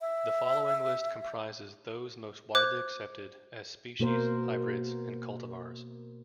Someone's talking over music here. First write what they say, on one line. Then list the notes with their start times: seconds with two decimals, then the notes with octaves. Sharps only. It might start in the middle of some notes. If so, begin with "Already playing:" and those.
The following list comprises those most widely accepted as species, hybrids, and cultivars.
0.01 E5
2.55 C5 D6 F#6 G#6
4.00 B2 A#3 A#4 C5